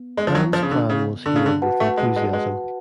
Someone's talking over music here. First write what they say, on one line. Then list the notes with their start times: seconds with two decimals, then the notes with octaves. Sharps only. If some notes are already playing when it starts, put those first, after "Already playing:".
Anne’s plan was hailed with enthusiasm.
Already playing: B3
0.17 G#3
0.27 F3
0.35 F#3
0.53 F3
0.62 C#3
0.71 D3
0.90 C#3
1.26 D3
1.36 C#3
1.46 D3
1.62 F#4 B4 F#5 A5
1.80 A3
1.97 G#3
2.16 G#3
2.33 G#3